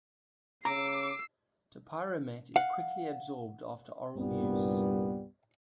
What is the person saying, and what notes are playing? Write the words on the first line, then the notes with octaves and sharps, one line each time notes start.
Topiramate is quickly absorbed after oral use.
C#3 A#5 D6 E6 C7
F5 F#5
C2 G2 A#2 G3 B3